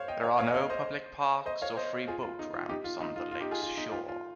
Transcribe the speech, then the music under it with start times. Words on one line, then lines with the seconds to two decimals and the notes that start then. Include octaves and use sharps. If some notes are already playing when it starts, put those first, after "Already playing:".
There are no public parks or free boat ramps on the lake's shore.
Already playing: C5 C#5 F5
0.08 D#5 G5
0.23 C#5 F5
0.39 C#5 F5
0.47 D#5
0.54 C#5 F5
0.70 C5 D#5
1.46 C5 D#5
1.62 C#5 F5
1.77 C5 D#5
2.08 F4 G#4
2.23 F4
2.39 D#4
2.53 F4
2.69 D#4 G4
2.84 F4
3.01 D#4
3.16 F4
3.31 F4
3.40 D#4 G4
3.51 F4 G#4
3.62 F4
3.77 D#4
3.92 F4
4.08 F4